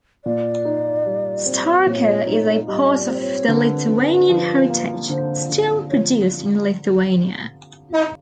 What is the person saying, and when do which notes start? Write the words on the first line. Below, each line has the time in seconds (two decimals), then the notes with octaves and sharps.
Starka is a part of the Lithuanian heritage, still produced in Lithuania.
0.25 A#2 D5
0.65 D#4
1.06 G3
1.46 C4
1.87 A#2 C#5
2.27 D#4
2.67 G3 D#5
2.84 D#5
2.94 D5
3.08 C4
3.14 D5
3.21 C#5
3.48 D3 B4
3.88 D3
4.29 F3
4.70 A#3
5.09 D3 C5
5.50 D3
5.90 F3 C#5